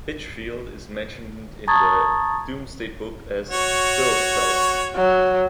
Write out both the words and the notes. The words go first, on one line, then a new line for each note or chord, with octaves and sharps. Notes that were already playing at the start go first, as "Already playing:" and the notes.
Bitchfield is mentioned in the "Domesday Book" as "Billesfelt".
A5 A#5 C#6 D#6 G#6 A6
F#4 C#5
F#3